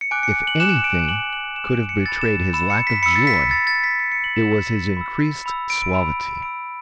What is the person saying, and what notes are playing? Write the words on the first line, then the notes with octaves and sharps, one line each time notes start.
If anything could have betrayed his lack of joy, it was his increased suavity.
C#7
G#5 D6 F#6 D7
C#7
F#7
G#5 D6 F#6 E7
D7
G#5 D6 F#6 F#7
F#7
G#5 D6 F#6 E7
D7
C#7
B5 E6 A6
E7
B5 E6 E7
C#7
B6
B5 E6 C#7
A6
B6
B5 E6 A6
A6
B6
B5 E6 C#7
C#7
F#7
E7
B5 E6
B5 E6
B5 E6
D7
B5 E6
B5 E6 D7